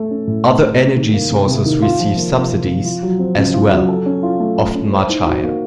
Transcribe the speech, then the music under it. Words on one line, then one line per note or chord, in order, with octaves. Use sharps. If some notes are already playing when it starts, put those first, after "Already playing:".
Other energy sources receive subsidies as well, often much higher.
Already playing: A3 A4
C#4
A2
A4
A3
C3
D#3
A#3
C3
C3
D#3
F4
F3
A#3
C3
F4
F3
F4
F#3
C4
C#3
F4
F#3
A4
C#4
F4
A3
A4
C#4
C5
D#4
F#4
A#3